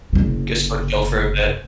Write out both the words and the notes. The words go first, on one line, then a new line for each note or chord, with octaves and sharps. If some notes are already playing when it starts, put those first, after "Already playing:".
Just go chill for a bit.
F#1 C3